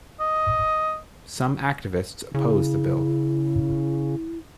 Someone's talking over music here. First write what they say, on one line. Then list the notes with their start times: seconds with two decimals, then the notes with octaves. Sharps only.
Some activists oppose the bill.
0.20 D#5
2.34 C#3 E4